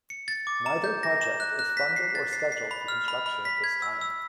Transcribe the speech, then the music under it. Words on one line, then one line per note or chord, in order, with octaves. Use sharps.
Neither project is funded or scheduled for construction at this time.
C#7
A6
D6
A#5
G6
A#6
E7
F#6
F#6
B6
C7
A6
C7
C7
B5
F6
B5
B5
B6
G#6
E6
E6